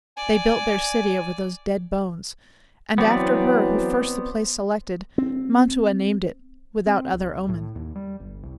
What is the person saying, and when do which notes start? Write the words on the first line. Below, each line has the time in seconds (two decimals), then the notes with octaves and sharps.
They built their city over those dead bones, And, after her who first the place selected, Mantua named it, without other omen.
0.17 D5 G#5
2.98 E3 F#3 B3 C4 D5
5.18 C4
6.86 C4
7.13 C2
7.49 A2
7.75 D#2
7.95 G3
8.20 G1
8.43 C2